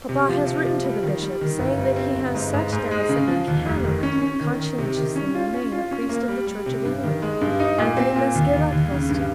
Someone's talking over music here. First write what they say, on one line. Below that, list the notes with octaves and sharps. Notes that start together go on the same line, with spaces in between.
Papa has written to the bishop, saying that he has such doubts that he cannot conscientiously remain a priest of the Church of England, and that he must give up Helstone.
C3
F3
C3
F3
G3
D#3
G3
D#3
G1
G3
C4
G1
G#2
G#2
G#2
G#3
C#3
F3
D#2
F1
D#3
C#4
C#4
D#3
D#3
C3
D#3
C#4
F4
C#4
F4
C#4
A#3
G3
G3
C3
G2
D#3
G#3
G2
D#4
A#2
C4
A#2
D#2
D#2
D#2
C#3
G2